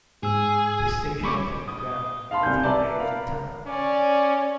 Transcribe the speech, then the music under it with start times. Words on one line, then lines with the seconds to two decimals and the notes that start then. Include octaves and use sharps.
The station is underground, at the entry of the tunnel.
0.23 G#2 G#4 E6
1.24 G3 C#4 B5 C#6 D6
1.68 D#6
2.31 F5 A5 B5 C6
2.43 C2 G#5 G6
2.63 B4 D5 E5 A5 A#5
2.99 A#4 F5 B5
3.67 C#4 D5